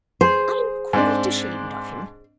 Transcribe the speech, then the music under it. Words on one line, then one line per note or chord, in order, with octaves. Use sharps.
I am quite ashamed of him.
G#4 C5
G#2 C4 D4